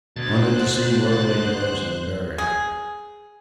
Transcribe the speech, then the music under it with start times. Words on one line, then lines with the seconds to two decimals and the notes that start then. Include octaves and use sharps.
Wanted to see more rainbows on Barrier.
0.16 D2 B2 C5 F#6 A6
2.38 G#4